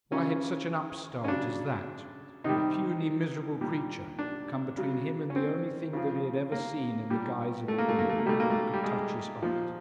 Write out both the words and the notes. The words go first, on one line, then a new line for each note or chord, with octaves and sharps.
Why had such an upstart as that, a puny, miserable creature, come between him and the only thing that he had ever seen in the guise of a woman that could touch his heart?
C#3 F3 C#4
C#4
C#3 F#3 D4
C3 D#3 G3 D#4
A#2 G3
D4
C#3 F#3
C#4
C4
C#3 F3
A#3
A#2 G3
A3
A#3
A3
A#3
A3
A#3
B2 G3 A3
A#3
A3
G3
G#3
A#2 F3